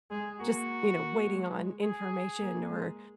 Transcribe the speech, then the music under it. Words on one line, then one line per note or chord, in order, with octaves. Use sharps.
just, you know, waiting on information or,
G#3 G#4
A#3 F#4
A#3
G#3
G#4
A#3
G#3